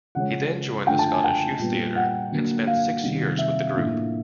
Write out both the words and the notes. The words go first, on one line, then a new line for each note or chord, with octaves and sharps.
He then joined the Scottish Youth Theatre and spent six years with the group.
C#3 F3 G#3 C#4 F#5
D3 F3 A3 D4 G5
A5
G#5
G5
A#2 G3 B3
F#5
D3 F#3 A#3 D4
F5
C3 D#3 G3 C4 D#4
E5
A2 F3 A#3 D4